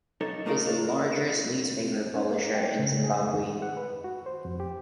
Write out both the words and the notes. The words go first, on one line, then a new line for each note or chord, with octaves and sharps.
It is the largest newspaper publisher in Zimbabwe.
B1 D#4 A4 C#5
A3 A#3 D#4 F4 A#4
A#3 D4
C#4
A#3
G5
C#3
G#4
D#3
F#5
B4
F#4
C5
F2
G4